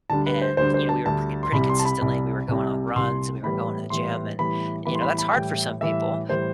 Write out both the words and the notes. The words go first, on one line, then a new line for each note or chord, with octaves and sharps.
and, you know, we were pr pretty consistently we were going on runs and we were going to the gym and, you know, that's hard for some people,
D2 D3 G3 D4 A5
B4
C5
D2 D3 G3 D4 C5
C5
A5
D2 D3 G3 D4 A5
C6
C2 C3 G3 B5
C6
A5
B5
C2 C3 G3
C2 C3 G3
C2 C3 G3 C6
A2 E3 G3 B3 B5
A2 E3 G3 B3 C6
A2 E3 G3 B3 B5
A2 E3 G3 B3 B5
C6
B5
B5
A2 E3 G3 G5
A2 E3 G3 E5
A2 E3 G3 C5